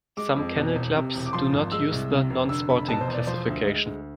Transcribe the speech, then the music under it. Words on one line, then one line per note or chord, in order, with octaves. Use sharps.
Some kennel clubs do not use the "Non-Sporting" classification.
G#3 D6
F2
B2
E1
C3
E1
D6
F3 C6
G#1
G#3 E6
C2
C3
F1
D3 E6
F1 B5
B2 A5
C5
E1
D5
F3 C5
D2
G#3
D2